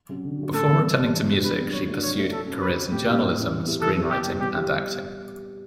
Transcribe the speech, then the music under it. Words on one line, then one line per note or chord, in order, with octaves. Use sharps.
Before returning to music, she pursued careers in journalism, screenwriting and acting.
F#3 C#4 F#4
D3
F#3 C#4 F#4
A2 A4
E3 G3 B3
A2
E3 G3 B3
E3
G3 B3 D4 G4
E3 B4
G3 B3 D4 G4
F#3 C#5
A3 D4 F#4
F#3 C#5
A3 D4 F#4
F#3 A4
C#4 F#4
F#3 B4
C#4 F#4
A2 G4
G3 C#4 E4
A2
G3 C#4 E4
E3
B3 E4 G4
E3 A4
B3 E4 G4
B2 G4
G3 B3 E4 G4
B2 G4
G3 B3 E4 G4